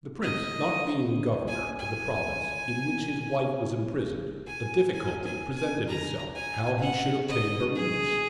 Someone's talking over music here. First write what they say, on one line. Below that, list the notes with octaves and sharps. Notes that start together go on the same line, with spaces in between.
The Prince not being governor of the province in which his wife was imprisoned, a difficulty presented itself how he should obtain her release.
D#5
G#5
G#5
G#5
G#5
G#5
G#5
A#5
G#5
F#5
D#5
G#4